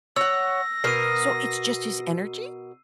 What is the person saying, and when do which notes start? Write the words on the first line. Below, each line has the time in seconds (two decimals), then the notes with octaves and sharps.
So it's just his energy?
0.16 C#5 F#5 E6 A#6
0.84 B2 A#4 C7 D#7